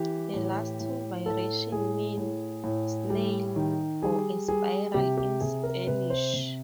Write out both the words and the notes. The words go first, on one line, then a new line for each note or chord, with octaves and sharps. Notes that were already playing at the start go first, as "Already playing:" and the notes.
The last two variations mean "snail" or a "spiral" in Spanish.
Already playing: E3 G4
A2
A2
A2 A4
A2 G#4
A2
A2
G3
D#3
G3 G#4
G3 G#4
C3 G4
G4
C3 G#4
A#4
C3 B4
C5
C3